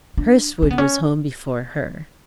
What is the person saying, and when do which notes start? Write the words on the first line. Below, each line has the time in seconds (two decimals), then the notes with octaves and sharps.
Hurstwood was home before her.
0.17 D4
0.62 C#4
0.70 B3
0.78 C#4